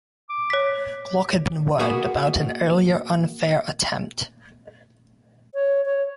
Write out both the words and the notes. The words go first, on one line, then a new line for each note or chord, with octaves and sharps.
Glock had been warned about an earlier unfair attempt.
D6
C#5 B6
A#3 B3 F#4 G#4
C#5
C#5